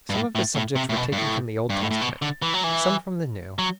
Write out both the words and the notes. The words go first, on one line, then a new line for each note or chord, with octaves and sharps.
Some of the subjects were taken from the Old Testament, some from the New.
G2
A2
A2
A2
C3
A2
B2
G2
A2
G2
A2
A2
B2
D3
E3
F#3
E3
F#3